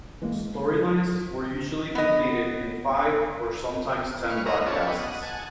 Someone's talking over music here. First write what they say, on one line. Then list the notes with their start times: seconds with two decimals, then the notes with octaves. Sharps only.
Storylines were usually completed in five, or sometimes ten broadcasts.
0.22 E3 G#3 A#3
1.95 B3 D#5
4.30 B4 F5 C#6
4.46 G#4 A#4 D#5 E5 F#5 A#5
4.66 B3 C#4 D4 F4 A4 C#5
4.87 B3 D4 G4 G#4 B4 C#5
4.98 D#5 F#5
5.22 F#5 G#5 A5